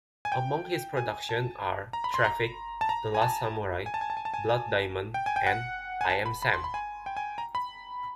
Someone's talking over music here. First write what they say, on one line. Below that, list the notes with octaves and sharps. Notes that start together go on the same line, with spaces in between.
Among his productions are "Traffic", "The Last Samurai", "Blood Diamond", and "I Am Sam".
G#5
G5
G#5
A5
A#5
B5
C6
A#5
A5
A#5
G#5
A5
G#5
A5
G#5
A5
G#5
A5
G#5
G#5
G5
G#5
G5
F#5
G#5
A5
B5
B5
C6
B5
G#5
G5
G#5
A#5
B5